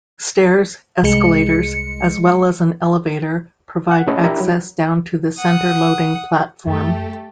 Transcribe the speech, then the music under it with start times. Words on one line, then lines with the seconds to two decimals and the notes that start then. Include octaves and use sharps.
Stairs, escalators, as well as an elevator provide access down to the center-loading platform.
1.03 C2 G#3 C#7
3.91 F#5
4.07 A3 C#4 E4 G#4 A4 D#5
4.24 D4 E4 G4 A#4 A#5 B5
4.40 F#3
5.38 F#5 D#6
6.67 F#2 A3 G4 A4